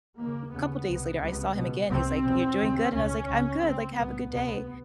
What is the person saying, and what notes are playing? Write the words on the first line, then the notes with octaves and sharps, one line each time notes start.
couple days later, I saw him again, he was like, "You're doing good?" And I was like, "I'm good," like, "have a good day."
D#2 C#3 A#3
D#2 C#3 B3
C2 C3
C#2 C3
C#2 B2
C2 C3 C4
E2 B2
D#2 C#3
C#2 B2 C#4
C#2 C#3
C#2 C#3 C4
C2 A#2 B3
D2 C3 B3